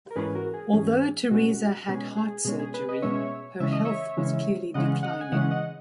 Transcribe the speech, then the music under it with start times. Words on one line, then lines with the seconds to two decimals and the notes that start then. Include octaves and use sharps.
Although Teresa had heart surgery, her health was clearly declining.
0.11 A#4
0.16 G#2 E3 G#3 C#4 G#4 B4
0.35 F#4 A#4
0.54 G#4
0.73 G#2 E3 G#3 C#4 G#4
1.31 B2 G#3 C#4 F#4
1.88 B2 G#3 C#4 G#4
2.16 G#4
2.45 B2 G#3 C#4 G#4
2.59 G#4
2.74 G#4 B4
2.89 B4 D#5
3.02 B2 G#3 C#4 C#5 E5
3.60 C#3 E3 G#3 C#4 E5
3.72 D#5
3.85 C#5 E5
4.17 C#3 E3 G#3 C#4
4.74 C#3 E3 G#3 C#4 D#5 F#5
5.03 D#5 F#5
5.21 G#5
5.32 C#3 E3 G#3 C#4 D#5 F#5
5.51 D#5 F#5